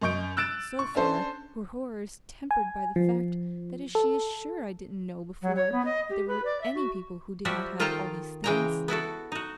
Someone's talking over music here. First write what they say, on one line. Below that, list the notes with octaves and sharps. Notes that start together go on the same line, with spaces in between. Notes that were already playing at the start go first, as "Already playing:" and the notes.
So far her horror is tempered by the fact that she is sure I didn't know before that there were any people who did not have all these things.
F#2 D#5 C#6 G6 D7
E6 F#6 A6 D7 E7
C#6
C#4 D4 A4 C5 A5
G#5
F3
A4
F#3
C#5
B3
D#5
G4
B4
D5
E5
F#4
F3 G3 F#4 G4 E5
D#3 F4 A4 G5 A5 A#5
C#3 E3 G#3 G5 G#5 A#5
B3 E4 F#4 A4
D#4 F#4